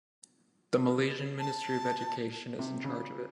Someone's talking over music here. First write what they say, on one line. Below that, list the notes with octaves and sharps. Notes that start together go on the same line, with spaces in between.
The Malaysian Ministry of Education is in charge of it.
A5
C3
C#3